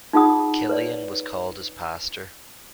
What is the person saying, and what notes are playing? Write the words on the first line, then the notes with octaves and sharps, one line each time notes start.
Kilian was called as Pastor.
D#4 F4 G#4 F#5 D#6
B4 C#5 D5